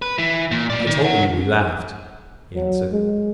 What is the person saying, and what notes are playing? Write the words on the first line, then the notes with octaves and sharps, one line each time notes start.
'I told you we laughed,' he answered.
B4
E3
A#2
F#3 D5
D#3
C#5 F#5
F#3
G#3